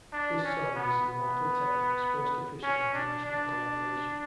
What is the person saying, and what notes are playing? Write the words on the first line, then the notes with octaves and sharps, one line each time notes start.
This song is Immortal Technique's first official international collaboration.
D4
C#4
B3
B3
C#4
D4
D4